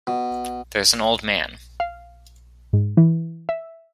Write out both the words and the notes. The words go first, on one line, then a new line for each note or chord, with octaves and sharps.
There's an old man.
B2
F5
G#2
E3
E5